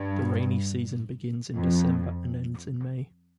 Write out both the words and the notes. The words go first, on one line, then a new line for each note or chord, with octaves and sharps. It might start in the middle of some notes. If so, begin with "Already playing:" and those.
The rainy season begins in December and ends in May.
Already playing: G2
F2